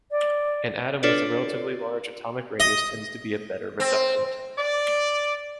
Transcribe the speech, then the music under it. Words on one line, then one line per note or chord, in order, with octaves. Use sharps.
An atom with a relatively large atomic radius tends to be a better reductant.
D5
D4 F4 A4 B4 C#5 D5
D#5
C4
D5